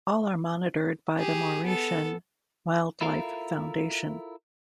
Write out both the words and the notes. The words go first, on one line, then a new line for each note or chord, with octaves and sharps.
All are monitored by the Mauritian Wildlife Foundation.
G4 G#4
B3 A4
E4 F4 A4 A#4 E5 F5